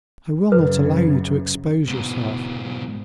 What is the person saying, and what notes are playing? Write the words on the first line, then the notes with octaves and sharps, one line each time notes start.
"I will not allow you to expose yourself."
F#2 C#3 B4
G#2 B2